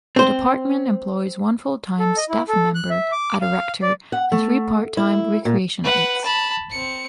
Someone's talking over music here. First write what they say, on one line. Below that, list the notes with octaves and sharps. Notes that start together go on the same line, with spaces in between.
The department employs one full-time staff member, a director and three part-time recreation aides.
C4 C5
A4
D#5
E4
A4
F#6
E5
D6
F5
D5
F#5
A3
E4
A#2
B4 F#5
A5 B5
C4 C#7